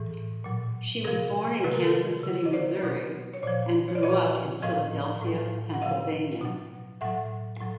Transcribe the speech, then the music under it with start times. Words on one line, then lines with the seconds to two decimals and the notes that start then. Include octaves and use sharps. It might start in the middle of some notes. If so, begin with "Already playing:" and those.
She was born in Kansas City, Missouri, and grew up in Philadelphia, Pennsylvania.
Already playing: A2 E3 G#4
0.44 A#2 F#3
1.04 C3 F3 G#4 A#4
1.64 C3 D#3 F#3 B4
1.73 A#4
1.83 A4 B4
2.23 C#3 F#3
2.45 D#5
2.53 C5 D5
2.83 B2 F#3
3.34 C#5
3.43 A#2 F3 C5 D5
3.88 C#5
3.95 D5
4.03 A#2 F3 C#5 D#5
4.63 A2 F3 D#5 F5
5.22 A2 F#3
5.74 F#5
5.82 C#3 F3 D#5 F5
6.41 B2 F#3
7.01 A2 F#3 E5 F#5
7.61 A2 F#3